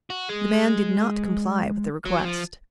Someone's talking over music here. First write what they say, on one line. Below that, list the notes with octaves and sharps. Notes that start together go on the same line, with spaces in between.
The man did not comply with the request.
F#4
G#3
F#3
F3